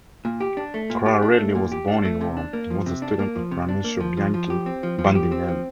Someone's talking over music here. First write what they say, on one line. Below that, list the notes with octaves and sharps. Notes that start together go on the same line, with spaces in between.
Coarelli was born in Rome and was a student of Ranuccio Bianchi Bandinelli.
A#2
G4
D4
A3
A#2
G4
D4
A3
A#2
G4
D4
A3
C3
D4
A#3
F3
C3
D4
A#3
F3
C3
D4
A#3
F3
F3
F3
G4
C4
F3
F3
G4
C4
F3